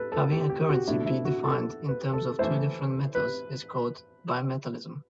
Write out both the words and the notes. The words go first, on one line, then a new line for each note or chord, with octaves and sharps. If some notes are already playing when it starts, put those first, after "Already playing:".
Having a currency be defined in terms of two different metals is called bimetallism.
Already playing: A4 B4
A4
G4
G4
F#4
B2 A3 D4 E4
E4
F#4
A4
B4
A4
E3 A3 E4 C5
B4